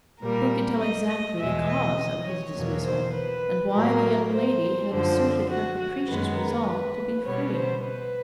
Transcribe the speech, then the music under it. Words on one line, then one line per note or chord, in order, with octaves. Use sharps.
Who could tell exactly the cause of his dismissal, and why the young lady had asserted her capricious resolve to be free?
A#2 G3 A#3 A#4
D#5
D#5
E2 B2 G#3 E5
D#5
C#5
E2 B2 F#3 A#3
C5
B4
A2 F#3 A#3 A#4
C5
F#2 D3 F3 C5
F#4
F#4
F#2 D#3 G#3 B3
A#4
B4
B2 G3 B3 C#5
C5
B4